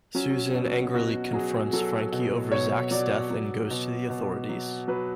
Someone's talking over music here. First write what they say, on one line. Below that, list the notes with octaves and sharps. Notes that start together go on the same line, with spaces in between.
Susan angrily confronts Frankie over Zack's death and goes to the authorities.
F#3 C#4
B2
B2 F#4
F#3 G#4
F#3 A4
B2
B2 C#5
F#3 D5
F#3
B2
B2
F#3
F#3 B4